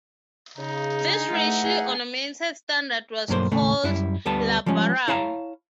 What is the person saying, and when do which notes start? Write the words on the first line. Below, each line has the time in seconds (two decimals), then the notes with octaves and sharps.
This richly ornamented standard was called "labarum".
0.58 C#3 D#4
1.03 D3 G#4
1.33 E2 A3 E5 F#5
1.63 G#4
3.28 B1 G2 F#3 A#3 C5
3.52 D#2 A2 C#3 A3
3.83 F#2 G3 E4
4.25 D2 G3 B3 A5
4.66 F3 G3 G#3 C#4
5.08 E4 C#5 F5 A5 A#5